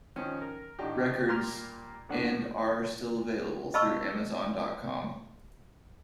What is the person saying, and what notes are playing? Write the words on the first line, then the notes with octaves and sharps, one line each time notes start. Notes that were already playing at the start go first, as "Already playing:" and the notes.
Records, and are still available through Amazon dot com.
D#3 F3 C#4
A#4
A2 D3 D#3 D4 D#4 G4
A#2 G3 A#3 G4 C6 F6
F2 A2 D3 D4 F#5
D#5 F5 A5 B5 C#6 E6